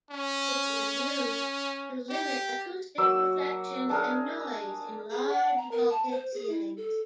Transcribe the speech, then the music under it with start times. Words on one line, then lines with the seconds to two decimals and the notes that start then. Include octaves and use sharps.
It was used to limit acoustic reflection and noise in large vaulted ceilings.
0.10 C#4
2.10 G4
2.98 F#3 A#3 D6 E6
3.89 D4 G#4 A#4
5.11 G#4
5.29 F#5
5.58 A#5
5.71 A#4
5.90 A5
6.12 C5
6.34 G#4
6.49 E4
6.77 A4